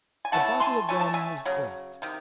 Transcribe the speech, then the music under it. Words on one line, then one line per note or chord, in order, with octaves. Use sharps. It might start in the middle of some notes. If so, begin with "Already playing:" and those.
The bottle of rum was brought.
G#5
E3 A3 C#4 F#5 A5
G#5 C6
E3 A3 C#4 G#5
A5
E5 G#5
C#3 F#3
C3 D#3